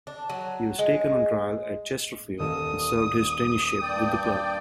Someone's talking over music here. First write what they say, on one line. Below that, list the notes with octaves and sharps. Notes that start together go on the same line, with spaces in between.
He was taken on trial at Chesterfield and served his traineeship with the club.
D4
F#3
G#3
D#1 A4 D#6 E7
G2 D5 G5